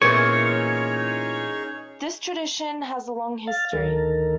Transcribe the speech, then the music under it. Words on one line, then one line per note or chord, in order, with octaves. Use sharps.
This tradition has a long history.
A#2 E3 B3 C#4 D#4 G#4 C#5
F5 A6
D2 D#3 A4 A#4